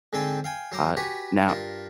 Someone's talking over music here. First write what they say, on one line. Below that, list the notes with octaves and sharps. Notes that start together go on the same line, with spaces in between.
Uh, now
G#2 D3 C4 C5 G5 G#5
F5 G5 G#5
F#3 C5 A#5 D6
F#4 G4 B4 G#5 A#5 C#6
G2 F4 A#4